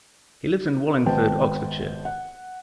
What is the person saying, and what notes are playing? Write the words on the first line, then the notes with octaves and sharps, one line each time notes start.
He lives in Wallingford, Oxfordshire.
G#1 B3 C5 G5 A5
F#5